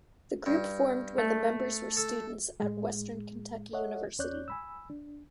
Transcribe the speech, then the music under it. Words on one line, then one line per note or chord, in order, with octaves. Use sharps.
The group formed when the members were students at Western Kentucky University.
G2
A3
A4
A2 G#3
A4 C#5 D#5 E5 F#5
E2 C#4 C#5 D5 F#6 G6
G#5 B5 E6
D4